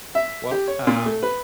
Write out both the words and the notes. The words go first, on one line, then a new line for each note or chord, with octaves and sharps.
Well, um,
E5
G4
C#5
A#2
A3
B4